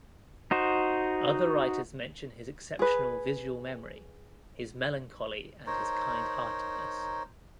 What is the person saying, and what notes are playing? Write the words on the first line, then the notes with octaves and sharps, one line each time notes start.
Other writers mention his exceptional visual memory, his melancholy and his kind-heartedness.
D#4 F#4 C5
G#4 B4
D#4 A#4 C5 C#5